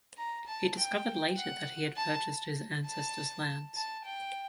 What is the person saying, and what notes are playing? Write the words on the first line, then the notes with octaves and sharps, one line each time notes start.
He discovered later that he had purchased his ancestors' lands.
A#5
A5
G5
F#5
A5
A5
A5
G5